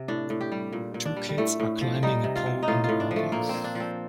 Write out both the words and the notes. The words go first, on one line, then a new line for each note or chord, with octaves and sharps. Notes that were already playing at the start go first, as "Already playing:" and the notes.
Two kids are climbing a pole in the water.
Already playing: C3
A2 D4
A2
G4
G3
A#2
A#2
D4
G3
G3
A2 A3
A2
F3
G3 D#4
C3
F4
C3
D#4
A2 F4
A2 F4
D4
F3
A3
A#2 A#3
C4
A#2
D4
F3
C4